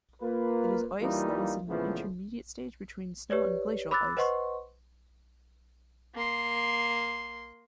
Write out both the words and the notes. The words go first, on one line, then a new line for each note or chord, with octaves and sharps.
It is ice that is at an intermediate stage between snow and glacial ice.
A#3 F4 B4
E3 G3 A#3 D#4 F4
A#2 C#3 E3 F3 A3 B3
G4 B4 C#5 D5
B5 D6 E6 F#6 A6
B4 C5 D#5 F#5 C6 C#6
A#3 C6